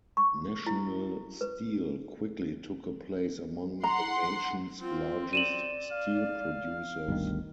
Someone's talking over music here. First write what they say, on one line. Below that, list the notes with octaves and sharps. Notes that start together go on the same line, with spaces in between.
National Steel quickly took a place among the nation's largest steel producers.
C#6
E4
B4
F#5 A#5 C6
C4 F4
D5 D#7 E7 F#7
F5
G1 D2 D#3